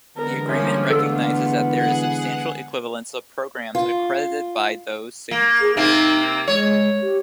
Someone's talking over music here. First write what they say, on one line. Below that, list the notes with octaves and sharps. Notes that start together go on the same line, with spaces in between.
The agreement recognizes that there is substantial equivalence of programs accredited by those signatories.
D3 E3 G#3 B3 A#4
F3 G3 A#3 C#4 E5
A3 B3 D4 F4 A4 E6
G#4 F#5 F#6
F4
A#3
G#4
C3 A#3 C4 D#4
G#3 C#5
G4